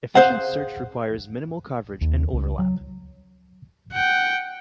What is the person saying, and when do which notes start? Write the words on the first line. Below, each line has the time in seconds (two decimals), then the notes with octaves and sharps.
Efficient search requires minimal coverage and overlap.
0.15 G#4 A4 C5 F5 F#5
2.01 D#2
2.33 C#2
2.59 F#3
3.93 F#5 G5